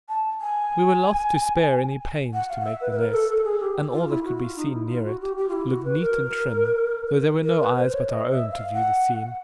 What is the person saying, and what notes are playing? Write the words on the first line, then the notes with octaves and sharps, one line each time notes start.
We were loth to spare any pains to make The Nest, and all that could be seen near it, look neat and trim, though there were no eyes but our own to view the scene.
A5
G#5
F#5
F5
F5
E5
B4
B4
A#4
A4
A4
G#4
G4
F4
E4
F#4
F#4
F4
D#4
E4
F4
F#4
G4
G4
F4
E4
F#4
B4
A#4
A#4
B4
C5
C#5
D#5
E5
F5
F#5